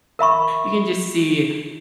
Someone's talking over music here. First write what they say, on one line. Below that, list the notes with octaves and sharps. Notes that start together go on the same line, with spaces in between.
you can just see
A#4 E5 B5 C#6